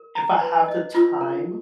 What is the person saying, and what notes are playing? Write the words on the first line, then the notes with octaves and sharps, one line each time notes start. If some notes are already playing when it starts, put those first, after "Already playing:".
If I have the time,
Already playing: A#4
A#5
B4
D#5
F4
A#4